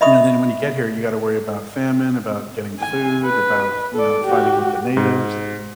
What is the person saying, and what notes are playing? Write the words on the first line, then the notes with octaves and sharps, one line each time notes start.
you know, then when you get here, you gotta worry about famine, about getting food, about, you know, fighting with the natives,
D#5 E5 B5 C#6 D#6
G#5
B4
A4 D5
F#4 G4
G#2